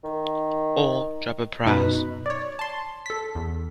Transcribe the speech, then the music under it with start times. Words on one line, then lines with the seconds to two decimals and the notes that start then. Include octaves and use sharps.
Or drop a prize.
0.04 D#3
1.65 F#2 B2 D#4 B4 B5
2.26 C#5 D5
2.59 A5 C6
3.06 A4 B6
3.35 E2